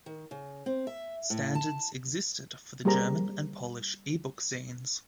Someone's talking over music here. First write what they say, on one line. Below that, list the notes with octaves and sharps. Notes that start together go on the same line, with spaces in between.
Standards existed for the German and Polish ebook scenes.
D#3
C#3
C4
E5
A2
A5
G3 A#3 G4 G#4 C5 A#5